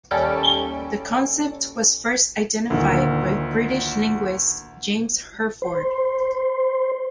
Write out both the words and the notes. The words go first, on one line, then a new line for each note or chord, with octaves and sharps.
The concept was first identified by British linguist James Hurford.
D#2 G3 C#4 A4 D7
D2 A#2 D#3
C5